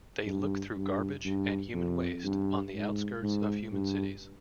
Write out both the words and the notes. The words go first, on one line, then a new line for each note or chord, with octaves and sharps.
They look through garbage and human waste on the outskirts of human cities.
G2
G2
G2
F2
G2
G#2
G#2
G2